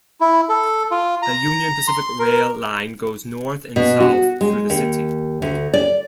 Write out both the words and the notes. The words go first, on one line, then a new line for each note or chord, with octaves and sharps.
A Union Pacific rail line goes north and south through the city.
E4
A4
F4
A#5
C6
A#4
B2
F#4
G#3
D#2
D2
D5